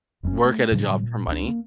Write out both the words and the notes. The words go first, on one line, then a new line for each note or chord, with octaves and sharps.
work at a job for money,
F1 F#2 A#2 C#4
A3
A2 C#3 F#3 G3
A#2
C#2 F3 D4
A#3